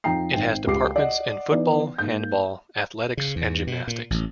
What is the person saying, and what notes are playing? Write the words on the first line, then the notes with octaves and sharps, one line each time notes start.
It has departments in football, handball, athletics and gymnastics.
F2 F3 D#4 G5 A#5 C7
G#1 G5
C#2 G4 D6 C7
D5 D#5 F#5
E3 B3 D#4 D5
G#2 A#3 G6
C#3
E2
B2
A#2
A1